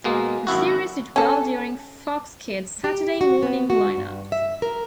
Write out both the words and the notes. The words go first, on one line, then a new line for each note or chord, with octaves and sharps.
The series did well during Fox Kids' Saturday morning line-up.
B2 G#3 A#3
G#1 F#2 E4 F#4
C#4 A4
G4
F#4
B3
F#4
G2
E5
A#4